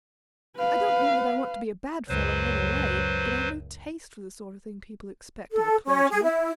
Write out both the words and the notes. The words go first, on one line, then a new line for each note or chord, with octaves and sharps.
I don't mean that I want to be a bad fellow in any way; but I've no taste for the sort of thing people expect of a clergyman.
B4 F5
C#2 F#2 F#3 B4 C5
A4
C#4
G#4
E4